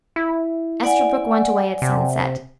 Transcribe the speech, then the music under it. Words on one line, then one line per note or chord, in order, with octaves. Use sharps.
Esterbrook went away at sunset.
E4
D5 F#5 G#5
C3